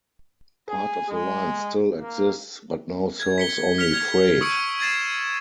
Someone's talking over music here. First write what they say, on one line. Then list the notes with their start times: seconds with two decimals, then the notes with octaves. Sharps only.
Part of the line still exists but now serves only freight.
0.69 G#4
1.09 G#3
2.01 A#3
3.20 G#6
3.38 B6 C#7 G7
3.78 F6 B6 C#7 F7
3.92 F6 G#6 F7
4.41 C#6 D#6 E6 C#7 D7
4.80 G#6 A6 C7 E7